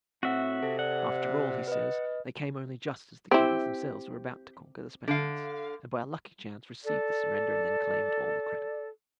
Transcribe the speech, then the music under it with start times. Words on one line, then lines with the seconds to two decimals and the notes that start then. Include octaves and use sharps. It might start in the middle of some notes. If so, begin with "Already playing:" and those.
After all, he says, they came only just as the Cubans themselves were about to conquer the Spaniards, and by a lucky chance received the surrender and then claimed all the credit.
0.23 A2 C4 F#4 E5 F#5
0.63 C3 A4
0.79 D5 F#5
1.67 B4 D#5
3.31 C4 E4 G4
5.08 D3 F5
6.84 A4 D5